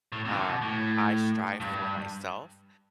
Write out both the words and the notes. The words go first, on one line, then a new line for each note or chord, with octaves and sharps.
um, I strive for myself.
A2
C3
E3
D3
B2
A2
G2